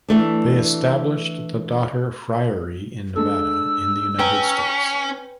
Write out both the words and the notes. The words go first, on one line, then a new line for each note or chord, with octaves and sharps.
They established the daughter friary in Nevada in the United States.
E3 A3 D4
G#3 D4 A4 E6
C#4 B4 G5 A#5